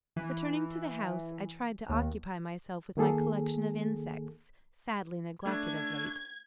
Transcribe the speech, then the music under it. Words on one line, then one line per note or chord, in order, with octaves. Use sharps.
Returning to the house, I tried to occupy myself with my collection of insects, sadly neglected of late.
E3
D#2
D#3 A#3 G#4 A4
A3 D4 G#6